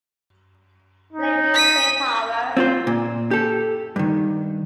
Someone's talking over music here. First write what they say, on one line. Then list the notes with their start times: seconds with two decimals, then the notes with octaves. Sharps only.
"Slavery Safe Harbor".
1.13 D#4
1.54 B6 D#7
2.57 C4 F4 C5
2.87 A#2
3.31 G4 A4
3.96 G2 D#3